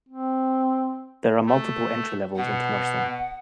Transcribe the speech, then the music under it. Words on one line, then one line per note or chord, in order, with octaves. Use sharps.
There are multiple entry levels into nursing.
C4
A3
B2 F#5